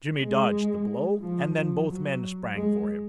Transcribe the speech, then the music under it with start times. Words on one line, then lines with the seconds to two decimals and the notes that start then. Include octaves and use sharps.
Jimmy dodged the blow and then both men sprang for him.
0.20 G#3
1.21 F3
1.54 F3
1.89 F#3
2.56 G#3